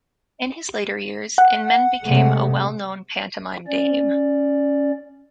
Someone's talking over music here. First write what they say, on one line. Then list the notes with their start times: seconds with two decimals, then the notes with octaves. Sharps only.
In his later years, Inman became a well known pantomime dame.
1.38 F#5
2.04 C3 G#3 A3
3.68 C#4 D5